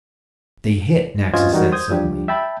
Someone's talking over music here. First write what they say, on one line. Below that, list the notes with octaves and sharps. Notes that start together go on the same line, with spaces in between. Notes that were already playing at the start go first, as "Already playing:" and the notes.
"They hit!" Naxa said suddenly.
G2 C#4 F4 C5 D#5 G#6
E3 G3 D#4 F#4 A#4
C5 D#6 G6 G#6
F3 G3 D4 G4
E5 G5 A5 B5